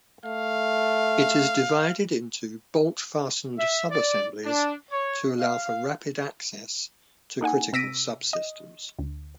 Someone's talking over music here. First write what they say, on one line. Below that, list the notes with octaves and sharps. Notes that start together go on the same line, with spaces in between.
It is divided into bolt-fastened sub-assemblies to allow for rapid access to critical subsystems.
A3 F5
E5
D5
D4
C#5
F5
A#3 D#4 F#5 G#5
C3 E6 A#6 B6 D7 D#7
D#5
D2